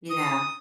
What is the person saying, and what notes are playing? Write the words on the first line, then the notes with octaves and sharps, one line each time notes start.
you know?
D#6